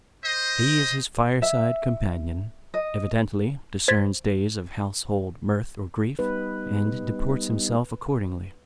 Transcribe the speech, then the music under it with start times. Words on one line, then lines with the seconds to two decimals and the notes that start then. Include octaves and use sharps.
He is his fire-side companion, evidently discerns days of household mirth or grief, and deports himself accordingly.
0.24 C5 D#5
1.42 E5
2.74 D#5
3.88 C5 G#6 A6 B6
6.19 G3 B3 D#4 B4